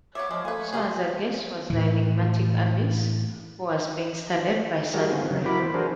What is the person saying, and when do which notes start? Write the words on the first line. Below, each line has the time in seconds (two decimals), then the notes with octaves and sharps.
Also as a "guest" was the enigmatic Abyss, who was being studied by Sunpyre.
0.15 B3 C#5 E5 D6
0.31 F3 G#3
0.45 A3 B4 F5 G#5
0.58 C#6
0.73 C3 G#3 C#4 G#4 D#6
1.70 A2 E3
4.94 G3 F#4 G#4 A#4
5.12 D3 B3 C4 F4
5.30 C#3 F#3
5.46 F#3 E4 F#4 A#4 B5 D6
5.60 E3 B3 C5
5.74 D4 F#4 G#4 A#4 C5